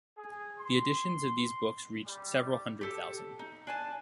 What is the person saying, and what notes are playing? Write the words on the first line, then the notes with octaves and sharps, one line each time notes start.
The editions of these books reached several hundred thousand.
G#4
C6
G3
G4 A4 A5
D#4
D4 G#5 A5